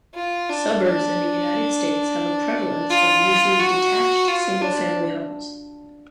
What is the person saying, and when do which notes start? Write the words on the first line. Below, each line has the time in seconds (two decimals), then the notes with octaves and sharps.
Suburbs in the United States have a prevalence of usually detached single-family homes.
0.14 F4
0.50 D4
0.84 D4
2.90 F4
3.59 F#4
4.28 F4
4.61 D4